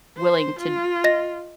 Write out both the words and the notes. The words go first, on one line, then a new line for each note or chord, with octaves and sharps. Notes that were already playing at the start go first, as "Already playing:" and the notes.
willing to
C5
F4
D#5 A#6